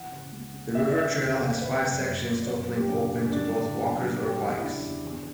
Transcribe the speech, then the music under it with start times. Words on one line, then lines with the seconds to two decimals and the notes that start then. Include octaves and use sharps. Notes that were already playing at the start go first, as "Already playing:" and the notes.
The River Trail has five sections totalling open to both walkers or bikes.
Already playing: E3 F#5
0.11 C#3
0.32 C#2
0.54 C#3
0.75 C#3 E5
0.87 D5
0.97 C#3 E5
1.18 E1
1.39 E1
1.61 G1 B4
1.83 F#2
1.93 D5
2.04 F#2 C#5
2.26 F#2
2.42 D5
2.47 F#2 C#5
2.68 F#2
2.76 G4
2.89 C#3 D4
3.11 C#3
3.22 C#4
3.32 G2 D4
3.53 D3
3.75 G1
3.96 F#3
4.18 F#3 G4
4.40 E2
4.56 E4
4.61 C#3 D4
4.82 E2
5.04 E2